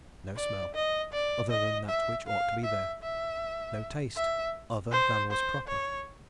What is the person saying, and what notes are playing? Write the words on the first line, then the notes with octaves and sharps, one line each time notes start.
No smell--other than that which ought to be there; no taste--other than was proper.
D5
D#5
D5
D#5
E5
F5
E5
E5
E5
C5
C5
C#5